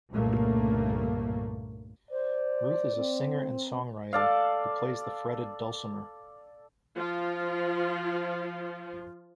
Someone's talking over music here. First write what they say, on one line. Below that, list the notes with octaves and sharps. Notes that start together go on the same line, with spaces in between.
Ruth is a singer and songwriter, who plays the fretted dulcimer.
C2 G2 A#2 C#3 A3 A#3
C5 D5
C4
A4 D5 F5
F3 F4